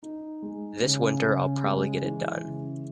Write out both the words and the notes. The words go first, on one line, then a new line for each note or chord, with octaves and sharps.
This winter, I'll probably get it done.
D#4
G#3
C#3
C#3
G#3
E3
C#3